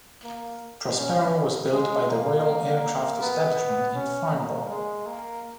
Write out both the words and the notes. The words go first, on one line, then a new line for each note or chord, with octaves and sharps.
Prospero was built by the Royal Aircraft Establishment in Farnborough.
A#3
C#4
G#3
A#3
A#3
B3
C#4
A#3
G#3
A#3